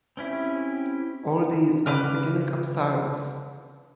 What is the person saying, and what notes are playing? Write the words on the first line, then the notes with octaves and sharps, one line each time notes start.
All these are the beginning of sorrows.
C4 C#4 E4 G4
C#3 B4 D6 F6